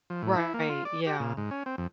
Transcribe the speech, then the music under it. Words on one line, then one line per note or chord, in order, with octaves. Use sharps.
Right, yeah.
F3
A2
E4
A#3
F4
D5
G4
A#2
G#2
C#4
C4
F2